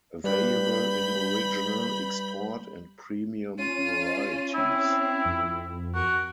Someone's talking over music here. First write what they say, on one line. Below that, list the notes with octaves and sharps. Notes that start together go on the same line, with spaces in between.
Available in original, export, and premium varieties.
G3 B4 B5 G6
C#4 F4 D#7
C4 E4
F2
F#4 A#4